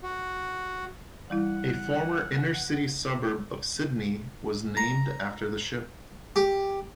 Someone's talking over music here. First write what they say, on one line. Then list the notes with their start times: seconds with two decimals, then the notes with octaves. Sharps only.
A former inner-city suburb of Sydney was named after the ship.
0.03 F#4
1.30 E3 G3 E4 F#5
4.77 A#5
6.36 G4